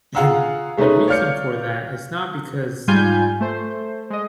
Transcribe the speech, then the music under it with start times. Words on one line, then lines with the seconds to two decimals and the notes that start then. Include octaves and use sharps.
And the reason for that is not because
0.15 F4 G#4 F5 F#5 A#5 E6
0.77 G#3 A3 C#4 D#4 B4
1.08 C#5 D5 F5 F6 G6 C#7
2.87 G#2 G3 F4 G#5 G6
3.40 A3 C5
4.10 G#3 D#5